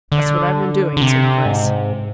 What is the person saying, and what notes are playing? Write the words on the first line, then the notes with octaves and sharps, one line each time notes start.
"That's what I've been doing," said Chris.
D3
D3
C3
G#2